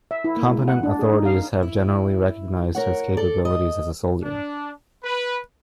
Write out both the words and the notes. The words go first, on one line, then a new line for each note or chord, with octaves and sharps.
Competent authorities have generally recognised his capabilities as a soldier.
E5
E4
A#3
G#3
F#5
D4
G#4
D#4
F5
E4
A#4 C#5 F#5
A4 D5
D#5
D4
B4